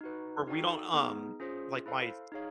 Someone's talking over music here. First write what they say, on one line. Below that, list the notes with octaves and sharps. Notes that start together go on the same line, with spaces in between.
where we don't, um, like my
D#4 F#4 B4
D#4 F#4 A4 D5 G5
B3 D#4 G#4
C#4 F4 G#4 C5
E4 A4 C5 F5
D#4 G#4 C#5 F5